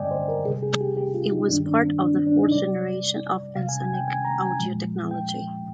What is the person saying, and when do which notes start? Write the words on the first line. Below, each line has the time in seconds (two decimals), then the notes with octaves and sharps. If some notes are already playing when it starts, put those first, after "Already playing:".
It was part of the fourth generation of Ensoniq audio technology.
Already playing: G2 D3 G3 D5 D#5 G5 G#5
0.11 C5
0.28 A#4
0.45 C3 G3 G#4
0.63 G#4
0.81 G4
0.97 G4
1.14 F4
1.32 D#4
1.49 G2 D#3 G3 D4
1.66 D4
1.84 C4
2.01 D4
2.14 C4
2.27 D4
2.40 D#4
2.52 C3 G3 D5
3.56 C3 F5
3.59 G3
3.69 G#5
3.82 G#5
3.94 G5
4.08 G#5
4.25 A#5
4.42 G#5
4.59 A#2 F3 G#3
5.11 G5